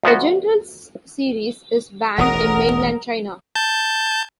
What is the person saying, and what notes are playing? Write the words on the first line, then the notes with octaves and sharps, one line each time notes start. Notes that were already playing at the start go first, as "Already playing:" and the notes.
The "Generals" series is banned in mainland China.
D2 F3 B3 F#4
E1 A1 D#2 A#4 F#5 D#6
A5 G6